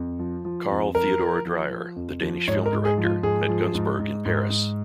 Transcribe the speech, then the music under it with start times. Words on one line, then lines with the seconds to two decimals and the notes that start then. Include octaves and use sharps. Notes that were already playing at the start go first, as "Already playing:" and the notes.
Carl Theodor Dreyer, the Danish film director, met Gunzburg in Paris.
Already playing: F2
0.19 F3
0.45 F3
0.70 F2
0.95 F3 A#4
1.20 F3
1.45 F3
1.70 F3
1.96 F2
2.21 F3
2.48 G#2 C#5
2.66 A#4
2.73 G#2
2.85 G#4
2.98 F3
3.04 F4
3.23 G#2 G#4
3.49 F3
3.75 G#2
3.99 G#2
4.25 G#2
4.50 G#2